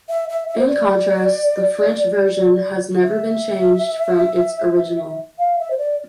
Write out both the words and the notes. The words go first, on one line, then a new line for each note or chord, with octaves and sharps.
In contrast, the French version has never been changed from its original.
E5
E5
E5
C5
D5
E5
F5
E5
C5
D5